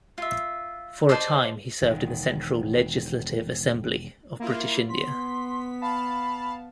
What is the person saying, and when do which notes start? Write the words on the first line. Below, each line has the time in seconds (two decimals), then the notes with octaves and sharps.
For a time he served in the Central Legislative Assembly of British India.
0.18 F4 E5
1.09 C5 D5 D#5 A5
1.82 E1 D#3
4.40 A#3 E4 F4
4.89 B3 C6 B6
5.81 F5 A5 B5